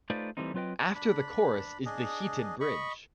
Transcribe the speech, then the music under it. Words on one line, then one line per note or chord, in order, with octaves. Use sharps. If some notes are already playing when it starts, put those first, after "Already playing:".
After the chorus is the heated bridge.
A3 D#4 F4 B4 C5 D5
E3 G3 A3 C4 D#4
F#3 C4 F4 B4 D#5 G5
D4 B5
D4 G#4 D#5
D#5 B5 C#6